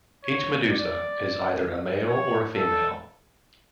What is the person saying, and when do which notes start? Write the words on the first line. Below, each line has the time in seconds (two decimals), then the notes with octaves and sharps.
Each medusa is either a male or a female.
0.24 C#5
0.70 D5
2.08 C#5
2.54 A4